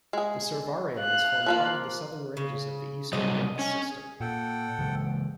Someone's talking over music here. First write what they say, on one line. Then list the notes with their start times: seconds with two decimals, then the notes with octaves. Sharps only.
The Servarayans form part of the southern ranges of the Eastern Ghats System.
0.13 G#3 G#4
1.00 F5 F#6
1.46 F3 A#3 F4
2.37 C#3
3.13 C3 F#3 G3 D#5
3.59 C#4 G#5
3.91 G#4
4.21 A#2 A4 F#5 G5
4.79 C#3 E3 G#3